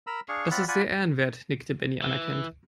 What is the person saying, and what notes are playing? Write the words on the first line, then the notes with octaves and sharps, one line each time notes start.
"Das ist sehr ehrenwert", nickte Benny anerkennend.
A#4 A#5 B5 E6
D4 G#4 F5 C#6
C4 F4 D5 F#5 B5
F4 D5 F#5 G#5 B5
E3